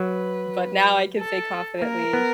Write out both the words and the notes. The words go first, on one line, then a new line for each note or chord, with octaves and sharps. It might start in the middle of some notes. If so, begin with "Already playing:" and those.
but now I can say confidently
Already playing: F#3 B4
A4
A#3 A#4
B3